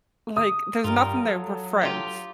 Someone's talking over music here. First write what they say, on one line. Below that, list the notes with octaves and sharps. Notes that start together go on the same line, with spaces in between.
like, "There's nothing there, we're friends."
D#6
G2 G3 F4 A#4
F#3 A4
F4 G4 G5